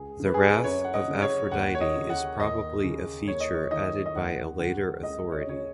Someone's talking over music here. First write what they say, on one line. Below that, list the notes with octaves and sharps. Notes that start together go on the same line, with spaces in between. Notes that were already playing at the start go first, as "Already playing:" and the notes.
The wrath of Aphrodite is probably a feature added by a later authority.
Already playing: C#2 G#4
C#3
B4
G#4
B4
F#2 C#5
F#5
D#5
C#3
C#5
D#2 F#5
C#5
D#5
C#3
F#5
D#2 D#5
C#3
D#2 C#5
D#5
C#5
D#3 D#5
D#5
D#2 F#5
C#3 F#5
C#2 D#5
C#5
D#5
C#3 C#5